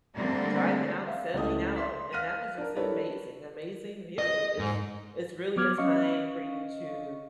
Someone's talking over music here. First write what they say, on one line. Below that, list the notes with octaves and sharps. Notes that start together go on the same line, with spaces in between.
driving out, sailing out, and that was just amazing amazing view. It's it's really a time for you to
D3 G3 A3 A#3 C4
E5 F5
C#2 A3 E4 D#6
E5 C6 B6
F5 F6 F#6 A#6 B6 D#7
D4 A#4
D4 E4 G4 A4 B4 C#5
D#5
G#2
F#3 B3 D6 F6 G#6
C#4 D#5 F5 C#6